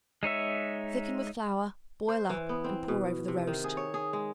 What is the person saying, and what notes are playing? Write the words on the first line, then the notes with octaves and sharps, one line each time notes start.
Thicken with flour; boil up and pour over the roast.
G#3 D#4 C#5 E5
C5
E3
B3
C4
B2
C3
D#3
G#4
C#5
G#4
G#3